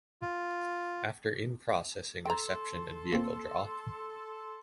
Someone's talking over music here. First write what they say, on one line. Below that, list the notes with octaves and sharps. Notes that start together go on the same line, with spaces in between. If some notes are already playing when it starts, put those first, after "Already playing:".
After in-processing, reception and vehicle draw.
F4
A4 G5 A#5 C6
A#2 C4